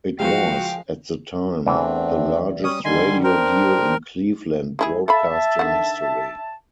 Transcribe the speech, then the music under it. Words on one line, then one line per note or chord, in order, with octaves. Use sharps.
It was, at the time, the largest radio deal in Cleveland broadcasting history.
F3 G#3 F#4 F5 G5
E2 E3 A3 C4 D4
G3 C#4 D#6
D3 D#3 G3 D#5 G#5 C6
D4 A#4 C5 G5
G#3 E4 G#4
A4 E5 F5 A5 B5
D3 D#3 F#5